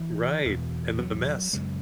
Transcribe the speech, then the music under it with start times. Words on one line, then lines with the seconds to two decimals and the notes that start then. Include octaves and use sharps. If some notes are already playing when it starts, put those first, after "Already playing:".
Right, and the mess.
Already playing: E3
0.46 E2 B2 E3
1.00 F#3
1.53 F#2 C#3 G#3